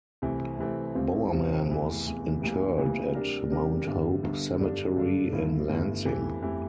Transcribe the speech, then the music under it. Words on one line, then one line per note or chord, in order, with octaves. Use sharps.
Bowerman was interred at Mount Hope Cemetery in Lansing.
C2 C3 E3 A3 C4
C2 C3 E3 A3 C4
C2 C3 G3 C4 F4
C2 C3 G3 C4 F4
F1 E2 E3
F1 E2 E3
D2 C3 E3 G3 A#3
D2 C3 E3 G3 A#3
C3 G3 D4 G4 A#4
C3 G3 D4 G4 A#4
G1 G2 D3 G3
G1 G2 D3 G3
G2 D3 G3 D4 A4
G2 D3 G3 D4 A4
G1 G2 D3 A3 E4
G1 G2 D3 A3 E4
F2 E3 A3 E4 G4
F2 E3 A3 E4 G4